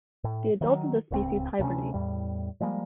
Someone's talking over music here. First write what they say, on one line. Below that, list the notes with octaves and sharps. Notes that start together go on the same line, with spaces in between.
The adults of the species hibernate.
A2
D#3 F#3
D1 C#2 B2 C4
D2 C3 A#3 C#4
E2 A2 G3
F3 G3 G#3 A#3